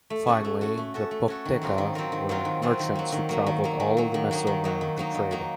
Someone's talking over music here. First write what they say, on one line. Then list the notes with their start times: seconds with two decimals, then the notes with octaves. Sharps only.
Finally, the "pochteca" were merchants who traveled all of Mesoamerica trading.
0.10 A3
0.27 C#4 F#4 A4
0.45 A3
0.61 C#4 F#4 A4
0.77 A3
0.94 C#4 F#4 A4
1.11 A3
1.28 C#4 F#4 A4
1.45 D#3
1.62 F#3 C4 F4 A#4
1.78 D#3
1.95 F#3 C4 F4 A#4
2.12 D#3
2.29 F#3 C4 F4 A#4
2.45 D#3
2.62 F#3 C4 F4 A#4
2.79 D#3
2.95 F#3 A#3
3.12 D#3
3.29 F#3 A#3
3.47 D#3
3.64 F#3 A#3
3.80 D#3
3.97 F#3 A#3
4.14 D#3
4.31 F#3 A#3 D#4
4.47 D#3
4.64 F#3 A#3 D#4
4.81 D#3
4.97 F#3 A#3 D#4
5.14 D#3
5.31 F#3 A#3 D#4